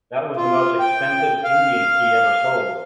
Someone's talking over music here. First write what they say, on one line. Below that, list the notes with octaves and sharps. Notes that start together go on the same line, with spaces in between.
That was the most expensive Indian tea ever sold.
F4
G5
F5